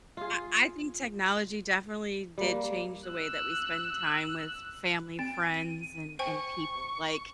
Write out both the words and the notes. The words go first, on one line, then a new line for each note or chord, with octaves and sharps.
I I think technology definitely did change the way that we spend time with family, friends, and and people, like,
F4 G#4
G3 A#3
E6 F#6
C4 D7
D#7
C5 G5 G#5 C#6